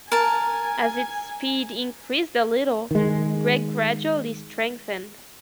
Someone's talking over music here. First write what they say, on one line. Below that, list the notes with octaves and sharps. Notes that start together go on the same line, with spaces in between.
As its speed increased a little, Greg gradually strengthened.
A#4 G#5 A5
D#3 G#3